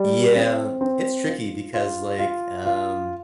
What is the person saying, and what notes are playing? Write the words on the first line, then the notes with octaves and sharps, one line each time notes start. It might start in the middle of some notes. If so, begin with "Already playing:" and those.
Yeah, it's tricky because, like, um,
Already playing: G3
C4
C4
F4
F4
F4
F4